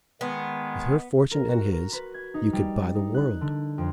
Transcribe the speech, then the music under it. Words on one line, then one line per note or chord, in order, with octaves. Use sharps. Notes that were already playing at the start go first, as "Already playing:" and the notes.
With her fortune and his--you could buy the world.
D#3 G#3 B3
A#4
F#4
A#4
B4
G#6
D#4
G3
D#4
F#6
D3
F2